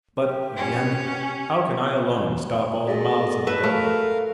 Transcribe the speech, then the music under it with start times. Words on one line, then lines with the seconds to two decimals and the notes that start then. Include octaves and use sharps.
But, again, how can I alone stop all the mouths of the devil?
0.18 G4
0.56 C#4
2.87 F#4 G#4 A4 D5 D#5
3.47 A3 B4 E5
3.64 A3 A#4 F5 A#5